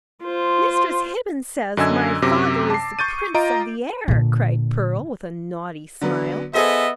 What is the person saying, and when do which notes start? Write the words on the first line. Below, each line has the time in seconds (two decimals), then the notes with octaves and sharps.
"Mistress Hibbins says my father is the Prince of the Air!" cried Pearl, with a naughty smile.
0.23 F4 C5
1.77 F#2 D3 D#5 G#5 E6 G#6
2.22 F#2 C3 D6 A#6
2.70 A5 C7
2.99 C#6 G6 A6 D#7
3.34 F4 D#5 A#5 D7
4.08 A#2 D3
6.01 D3 F#3 B3
6.53 B3 G#4 A4 C5 D#5 E5